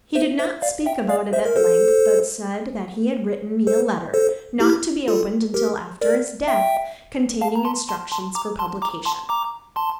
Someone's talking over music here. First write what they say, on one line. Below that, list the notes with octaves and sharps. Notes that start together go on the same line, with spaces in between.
He did not speak about it at length, but said that he had written me a letter, not to be opened until after his death, containing instructions for publication.
C5 E5
C5 E5
D5 F5
E5 G5
D5 F5
C5 E5
A#4
A4 C5
A4 C5
A4 C5
E4 G4
F4 A4
G4 A#4
A#4 D5
E5 G5
F5 A5
A#5
A5 C6
A5 C6
A5 C6
A#5 D6
A5 C6
A#5 D6
A5 C6
A#5 D6
A5 C6